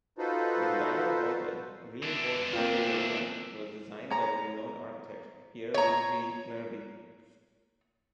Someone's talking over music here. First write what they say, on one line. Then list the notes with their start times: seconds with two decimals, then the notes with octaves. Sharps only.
The barrel-vaulted, reinforced concrete arena was designed by renowned architect Pier Luigi Nervi.
0.18 D#4 F4 F#4 A4 B4 C5
2.03 E3 D4
2.53 A#3 C4 F4
4.10 C#5 A#5
5.74 C#5 A#5